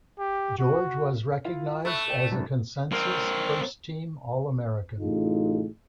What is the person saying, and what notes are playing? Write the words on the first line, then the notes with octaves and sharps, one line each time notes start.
George was recognized as a consensus first-team All-American.
G4
F#4
E4 F4 F5
A3 B5 C#6 F#6
D5 G5
G#1 F#2
C4 A#4
A1 A2 C3 D#4 F4 G#4